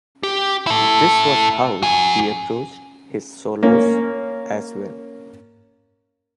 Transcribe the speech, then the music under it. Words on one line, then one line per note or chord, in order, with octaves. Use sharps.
This was how he approached his solos as well.
G4
E4 A4
F#4 G#5
A#3 C#4